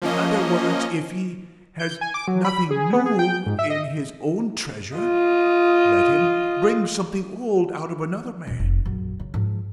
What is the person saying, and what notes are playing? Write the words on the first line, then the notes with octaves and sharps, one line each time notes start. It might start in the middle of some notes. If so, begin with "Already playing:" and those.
In other words, if he has nothing new in his own treasure, let him bring something old out of another man's.
F3 A#3 C#4 D#5
G6
G#5
D6
F#3
B5
G#4
B3
G#4
G5
G#2
E5
D#5
F4 D#5
D#1
F1
A#1 F#2
C#3
G#2 F3